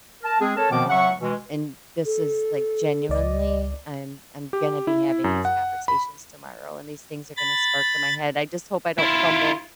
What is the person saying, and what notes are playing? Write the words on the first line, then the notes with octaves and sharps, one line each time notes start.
um, and this is, like genuinely, I'm I'm gonna be having these conversations tomorrow, and these things are gonna spark in my head, I just hope I don't fumble,
A#4 A5
G#3 C4 G#4
A4 A#4 C#5 A5
B2 D#3 F3 B3 C4 D6
F#3 E5 F#5 C#6
B2 E3 G#3
A4
C#2 D5 D#5
G4
E4
F#2
F#5
B5
B5 A6
E4 F4